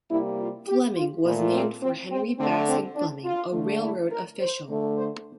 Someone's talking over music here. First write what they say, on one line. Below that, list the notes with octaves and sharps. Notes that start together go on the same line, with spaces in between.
Fleming was named for Henry Bascom Fleming, a railroad official.
C3 G3 A#3 E4
F4
G4
F4
A#2 A3 E4
C4
C4
C4
D3 A3 C4
C4
D4
F4
D3 A3
E4
A#4
C5
D3 A3
C5